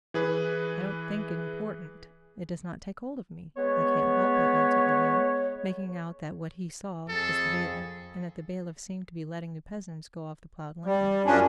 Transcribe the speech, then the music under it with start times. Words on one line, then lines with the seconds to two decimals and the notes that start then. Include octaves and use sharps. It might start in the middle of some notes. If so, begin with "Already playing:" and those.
"I don't think it important; it does not take hold of me, I can't help it," answered Levin, making out that what he saw was the bailiff, and that the bailiff seemed to be letting the peasants go off the ploughed land.
0.14 E3 G#4 B4
3.57 G#3 B3 B4 C#5
7.09 F2 G#4 A4
10.85 G3
11.26 F#2 F3 C#4 D4